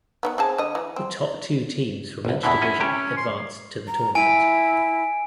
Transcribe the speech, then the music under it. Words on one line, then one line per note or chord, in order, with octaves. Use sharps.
The top two teams from each division advanced to the tournament.
D#3 E3 B3
C4 G#4 A5
D3 D#5
E3
C4
G1 C2
E2 B2 D3 E4
F3 C#4 D#5
C3 C#4 E4 G4
C6
A#5
E4 G#5 D7